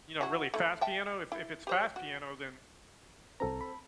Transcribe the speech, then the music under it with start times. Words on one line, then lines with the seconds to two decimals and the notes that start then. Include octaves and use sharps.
you know, really fast piano. If if it's fast piano, then
0.21 F#3 E4 F#4
0.54 A3 E4
0.81 E5 G5 A5
1.32 E4
1.67 G4 C5 C#5
1.96 F#4
3.40 C2 C4 A4 A#5
3.61 B5